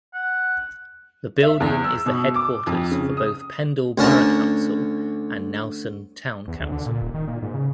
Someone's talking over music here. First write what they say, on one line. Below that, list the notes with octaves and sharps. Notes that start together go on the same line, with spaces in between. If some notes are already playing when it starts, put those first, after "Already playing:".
The building is the headquarters for both Pendle Borough Council and Nelson Town Council.
F#5
E5
E2
E6
B2
D6
F2
C#3
D#6
D2 D3 C#4 A#4 A5 A#5
E2
D2
D3
A#2
D#1
D#3
A#2
G#2
C#3